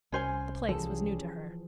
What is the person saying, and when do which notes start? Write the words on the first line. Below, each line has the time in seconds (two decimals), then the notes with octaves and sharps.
The place was new to her.
0.12 C2 C#4 C5 G#5
0.69 E3 F3 G3 C#4 G#4 A4